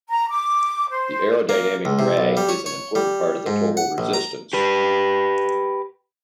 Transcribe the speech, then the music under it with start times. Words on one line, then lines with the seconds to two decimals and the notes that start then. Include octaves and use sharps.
The aerodynamic drag is an important part of the total resistance.
0.08 A#5
0.29 D6
0.90 C5
1.49 A#3
1.85 C#2
1.99 C3
2.17 B1
2.37 G3
2.49 C#5
2.66 C#5
2.95 G3
3.46 G#2
3.77 F#5
3.98 A#1
4.13 A#5
4.53 G4 B4